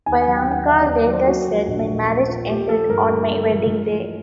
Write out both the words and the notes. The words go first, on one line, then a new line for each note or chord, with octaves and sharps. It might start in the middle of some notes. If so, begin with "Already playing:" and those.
Bianca later said My marriage ended on my wedding day.
D#2 G#5
F#3 G#5
G5
D#2 F#5
D3 E5
D5
D#2
D5
F#3
C5
A#3 F#4
F3
A#1
A#2
A#3
F3
A#3 G4
F3 A4
G2 A#4
D3
A#3
F3
A3
E3